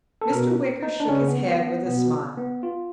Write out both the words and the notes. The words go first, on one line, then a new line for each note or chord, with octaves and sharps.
Mr. Wicker shook his head with a smile.
A4
B2 A#4
D#4
D4
C#3 C#4
B3
B3
B3
B2 B3
B3
F4